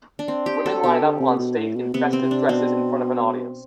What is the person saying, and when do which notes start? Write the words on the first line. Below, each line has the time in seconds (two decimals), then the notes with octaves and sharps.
Women line up on state in festive dresses in front of an audience.
0.19 D4
0.28 C4
0.46 G4
0.66 A4
0.83 B2 G4
1.02 D3
1.20 C3
1.39 B2
1.57 A2
1.76 B2
1.94 C3 B3
2.13 C4
2.22 C3
2.31 D4
2.49 B2 C4